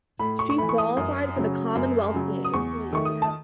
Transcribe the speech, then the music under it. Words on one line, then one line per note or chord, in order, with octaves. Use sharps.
She qualified for the Commonwealth Games.
A2 B5
C#6
C#6
E3 A3 B5
C#6
D#6
F#2
C#3 F#3
F#2
C#3 F#3
D#6
E2 C#6
D#3 A3 C#6
D#6
A5